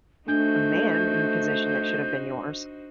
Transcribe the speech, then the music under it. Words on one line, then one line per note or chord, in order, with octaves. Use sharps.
a man in the position that should've been yours.
A3 D4 D#4 F#4 C5 G6